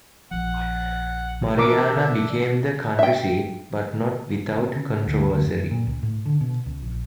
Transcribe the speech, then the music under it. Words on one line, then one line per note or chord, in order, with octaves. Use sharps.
Marianna became the county seat, but not without controversy.
A#1 F3 F#5
B2 E3 B3 D4 A#4 E5 D6
E5 G5
C3
C#3
D2
D2
F#2
A#2
C#2
A2
D3
B2
C#2
A#1